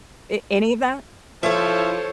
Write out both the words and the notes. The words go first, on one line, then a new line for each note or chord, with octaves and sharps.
A any of that?
F3 E4 A4 C5 C#5 E5